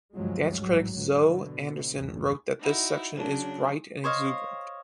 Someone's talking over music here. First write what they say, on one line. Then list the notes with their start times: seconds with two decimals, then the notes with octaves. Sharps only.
Dance critic Zoe Anderson wrote that this section is "bright and exuberant".
0.14 D2 G2 C3 F3 F#3 G#3
0.60 A1 G#2 F#3
1.21 B2 D3
1.95 A1 E2 G2
2.60 D#4 E4 F#4
3.15 C#3 F#3 D4
4.04 C5 C#5 D#5 F5